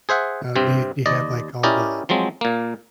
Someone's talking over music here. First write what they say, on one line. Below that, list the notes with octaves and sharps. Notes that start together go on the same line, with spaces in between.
Uh, do you do you have, like, all the,
G#4 C5 E5 F#5
G2 C3 C4
D#2 D5 D#5
C#4 E4 G4 A#4 D5 D#5
F3 F#3 G#3 C4
A#2 A#3